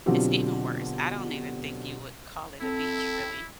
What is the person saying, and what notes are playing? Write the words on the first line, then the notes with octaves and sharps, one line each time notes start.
it's even worse. I don't even think you would call it a beach, really.
B2 D3 F#3 C4 F4 G4
C4 E4 A4